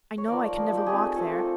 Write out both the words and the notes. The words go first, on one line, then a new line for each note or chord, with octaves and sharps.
I know I can never walk there.
C#5
F3 A#3 D#4 D5
F3 A#3 D#4
G4
F3 A3 C4 G#4
F3 A3 C4 A4